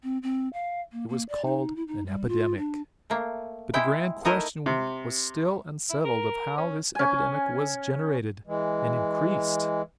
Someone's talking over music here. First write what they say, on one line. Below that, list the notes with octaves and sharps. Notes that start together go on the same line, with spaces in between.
It was called an epidemic. But the grand question was still unsettled of how this epidemic was generated and increased.
C4
C4
F5
A#3
A#3
D5
D#4
E4
D#4
G3
F4
D4
A3 A#3
G#3 E4 G5
A3 D#4 E4 A#4 D#5
C3
E4
A#4
C#4
C#4 G#5
E3 G#3